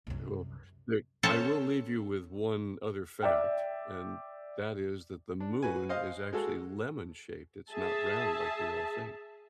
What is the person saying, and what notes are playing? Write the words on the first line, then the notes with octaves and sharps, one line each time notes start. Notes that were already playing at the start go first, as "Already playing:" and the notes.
Well, look, I will leave you with one other fact, and that is that the moon is actually lemon shaped it's not round like we all think.
C2 F#2
C#4 A4 C5 C#5 G5 A5
D5 E5 G5
D4
F#4 B4 G#5
C5 D#5 F5
G#3 F#4 A4
G#4 E5 A5